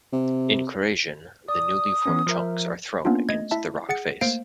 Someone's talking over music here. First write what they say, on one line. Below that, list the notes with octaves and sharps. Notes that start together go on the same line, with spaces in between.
In corrasion, the newly formed chunks are thrown against the rock face.
C3
D5 D#6
E3 B3 C#4
F3 A#4 E5
A#3 B3 C#4 D4 F4
A3 D#5 G#6
E4 E5 A5
G#4 F#5 A6 C#7
A3 A#3 C5 F5 D7